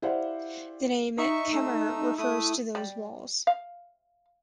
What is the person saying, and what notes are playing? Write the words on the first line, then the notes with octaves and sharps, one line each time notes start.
The name "Kemer" refers to those walls.
E4 G4 C5 D5 F5 F#5
D#4 E5 C#6
A3 E6
A3 E4 D#6
G3
F5